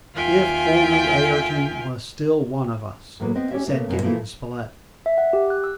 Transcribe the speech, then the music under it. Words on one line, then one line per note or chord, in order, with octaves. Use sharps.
"If only Ayrton was still one of us!" said Gideon Spilett.
D#2 F4 E5 G5 G#5 F6
A2 E3 F#3 A#3 B3
B3 C4 D#5 E5
C#4 G4 G#4 C#5 D5 E5
A#2 C#3 A3 B3
F#2 F3 B3 E4 D#5
E3 F3 A3 A#3 E4
E5
F#5
G4
F#6
E6